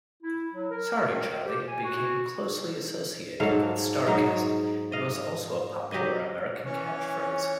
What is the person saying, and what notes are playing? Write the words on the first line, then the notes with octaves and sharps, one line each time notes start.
"Sorry, Charlie" became closely associated with StarKist and was also a popular American catchphrase.
E4
F#3
A#4
D#3
G4
G#5
F#4
G#2 F#3 A4 F5
G#2 F#3 D#4 C#5
D#5 F5
F#3 G4 D5 D#5
E3 C#4 C#5